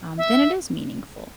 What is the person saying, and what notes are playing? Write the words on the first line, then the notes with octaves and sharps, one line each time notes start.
then it is meaningful.
E5